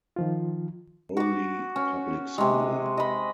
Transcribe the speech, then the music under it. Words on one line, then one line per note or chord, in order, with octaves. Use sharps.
Crowle Public School.
D#3 F3 F4
F#4 D6
C#4
C3 G#3
D#5 B5